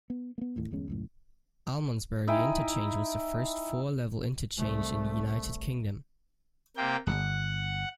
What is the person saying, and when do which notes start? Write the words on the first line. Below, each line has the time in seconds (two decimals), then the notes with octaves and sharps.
Almondsbury Interchange was the first four-level interchange in the United Kingdom.
0.10 B3
0.38 A#3 B3
0.56 A1 D#2 A2
0.71 G1 E2 G#3 C#4
0.88 C#2 F#2 A2
2.27 D#4 E4 G5 G#5
4.57 C2 A3
6.77 C3 A#3 G5
7.07 D1 G1 F#5